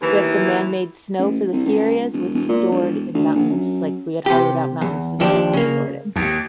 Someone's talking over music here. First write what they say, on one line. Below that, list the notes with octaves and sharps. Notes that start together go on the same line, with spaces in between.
that the man-made snow for the ski areas was stored in mountains. Like, we had hollowed out mountains to st pour it in.
D#2 E3
A1
C2
C#2
E1
E1
A#2
E1
D2
A#1
F#2
C3 G4
E2
D#2 F3 D4 G4
C#3 A#3
D#2